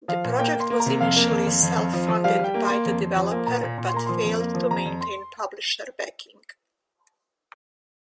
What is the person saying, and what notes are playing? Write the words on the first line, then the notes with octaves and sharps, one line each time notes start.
The project was initially self-funded by the developer but failed to maintain publisher backing.
F3 F5
A#2
A#3 G5
A#3
C6
A#3
A#5
C3
F2 F5
A#3
F2
F2
F2
F2
F3
F3
G3 F5
G3 G5
A#3
A#3 C6
F2
F2
F3
A#3
A#2 A#5
A#2
A#2
C6
A#3 A#5
F3 C6
F2
A#3
F3
F2 A#5
F2
C6